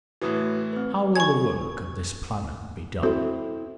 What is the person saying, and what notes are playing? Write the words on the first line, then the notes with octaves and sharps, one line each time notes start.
How will the work of this planet be done?
A2 E3 F#4 B4 D#6
C4 B4
F#4 G#5 C#6 G#6
C4 E4 F#4 A4